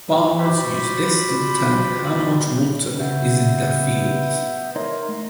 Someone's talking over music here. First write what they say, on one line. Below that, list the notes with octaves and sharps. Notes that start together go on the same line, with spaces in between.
Farmers use this to determine how much water is in their fields.
C4 F4 F#4 C5 D5 B5
C#3 B3 E5 G6
D#4 A#4 C#5 D#5 A#5 C6
A3